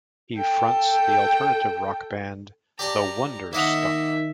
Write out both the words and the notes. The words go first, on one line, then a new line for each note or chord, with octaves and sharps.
He fronts the alternative rock band The Wonder Stuff.
A4 G5
G4 D5 A5 A#5
D#3 A#3 D#5 E5 F#5